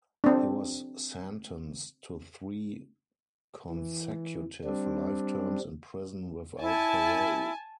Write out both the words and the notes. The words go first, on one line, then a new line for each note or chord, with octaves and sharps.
He was sentenced to three consecutive life terms in prison without parole.
C4 D4
E3
G3 C4 D4
E4 G#5 A5